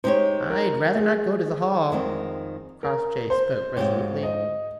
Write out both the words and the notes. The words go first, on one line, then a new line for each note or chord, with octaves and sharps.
"I'd rather not go to the Hall," Crossjay spoke resolutely.
G#3 D#4 G4 C5 C#5
A#4
G#4
F2 D#3 G#3 C4
A#4
C5
G#2 F3 G#3 C4 G4 C#5
D#5